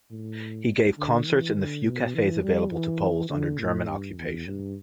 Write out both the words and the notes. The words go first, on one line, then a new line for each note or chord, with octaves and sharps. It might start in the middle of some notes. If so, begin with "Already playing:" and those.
He gave concerts in the few cafes available to Poles under German occupation.
A2
D3
E3
D3
B2
E3
G3
E3
D3
A2
G2
E2
G2